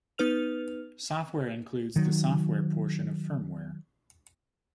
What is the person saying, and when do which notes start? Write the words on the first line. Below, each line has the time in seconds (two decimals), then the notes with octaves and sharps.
Software includes the software portion of firmware.
0.18 B3 D#4 B4 F6 F7
1.96 D#3 F#3